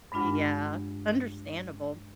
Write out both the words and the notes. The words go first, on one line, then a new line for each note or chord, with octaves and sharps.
Yeah, understandable.
G2 G#3 D4 F4 F#5